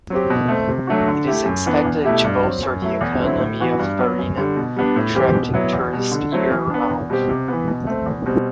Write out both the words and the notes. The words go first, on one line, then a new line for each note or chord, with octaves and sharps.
It is expected to bolster the economy of Marina, attracting tourists year-round.
F#3 C4 G4
B2
A3 C4
C3
F#3 A3 D4 F#4
D3
A3 E4 G4
F#2
E3 B3 D4
E2
B2 A3 E4 G4
G2
F#3 C4
F#2
F#3 A3 E4
E2
D3 F#3 C4 E4
A2
E3 B3 F#4
G2
F#3 B3
F#2
D3 G3
B2
G3 B3 D4
A2
E3 G3 C4 G4
B2
F#3 B3 E4
E2
B2 G3
D3
F#3 A3 C4 E4
E3
B3 D4
E2
B2 G3 C4 G4
C3
E3 B3
B2
A3 C4
E2
B2 G3 C4